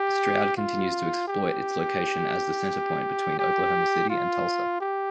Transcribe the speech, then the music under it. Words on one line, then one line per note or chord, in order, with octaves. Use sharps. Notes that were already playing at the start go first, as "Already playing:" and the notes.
Stroud continues to exploit its location as the centerpoint between Oklahoma City and Tulsa.
Already playing: G4
F4
G4
G4
F4
G4